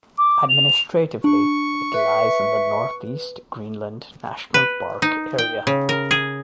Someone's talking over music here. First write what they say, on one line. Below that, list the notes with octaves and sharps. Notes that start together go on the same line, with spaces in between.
Administratively it lies in the Northeast Greenland National Park area.
D6
F7
D4 C#6
B4 E5
B4
D#4
G5
C#3
A#4
G#4